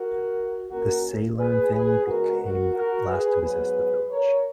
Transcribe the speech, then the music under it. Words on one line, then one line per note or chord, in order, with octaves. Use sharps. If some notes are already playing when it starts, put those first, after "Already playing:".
The Seilern family became the last to possess the village.
Already playing: F#4 A#4
A#2 A#3 C#4 F#4 A#4
G#4 B4
G#4 B4
C#3 G#3 B3 F#4 A#4
F#4 A#4
F#4 A#4
G#4 B4
G#2 F#3 B3 G#4 B4
A#4 C#5